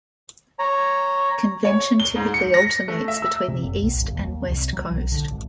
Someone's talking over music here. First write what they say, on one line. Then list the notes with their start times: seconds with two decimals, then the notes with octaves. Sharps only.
Convention typically alternates between the East and West coast.
0.59 C#5 A#5
1.65 C#5
2.00 G7
2.16 G#2
2.34 C#7
2.54 A#6
2.88 A3
3.08 E5
3.22 E6
3.48 C3
3.62 F#1
3.82 B1
4.00 G1
4.15 D#2
4.47 C2
4.73 F#3
4.91 B1
5.12 D3
5.31 G#1